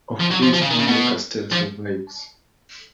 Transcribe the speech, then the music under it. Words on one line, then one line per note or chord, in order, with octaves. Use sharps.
Of these, only Castell survives.
F3
F#3
F3
F3
C#3
D#3
C#3
B2
F3